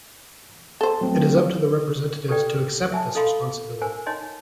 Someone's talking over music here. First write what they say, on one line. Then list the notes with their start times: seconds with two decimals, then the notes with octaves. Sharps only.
It is up to the Representatives to accept this responsibility.
0.81 A4 C5
1.01 F#3 A3 C4
2.28 G4 A4 B4 D5 G5
2.92 E5 G#5 A5
3.15 A4 D#5 F5 B5 C6
3.82 A#4 C5 G#5
4.06 D#4 C#5 D#5 G#5 C6